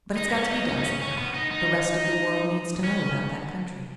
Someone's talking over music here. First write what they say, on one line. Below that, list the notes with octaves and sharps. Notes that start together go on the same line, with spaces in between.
But it's got to be done somehow; the rest of the world needs to know about that country.
D#4
B3
C#4
D#4
C#4
D#4
C#4
C#4
B3
D#4
D#4
C#4